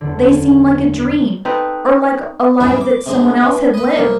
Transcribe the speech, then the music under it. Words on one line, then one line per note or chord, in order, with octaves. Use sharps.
They seemed like a dream, or like a life that some one else had lived.
F#1 E2 D3
C4 D#4 A4 B4
A1 G#2 E3 G3 G#3 E4
D6
C3 G#3 D4
E3
B4 D#5
C2 A#3